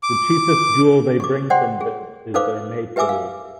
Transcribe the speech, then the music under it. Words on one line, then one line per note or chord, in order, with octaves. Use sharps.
The chiefest jewel they bring from thence is their Maypole.
D6
C#6 D6
C5 D5 F#5 G5 C6
G#4
D#4 A4 B4 C5 F5 D6
G4 B4 E5 G#5 D6 E6
F5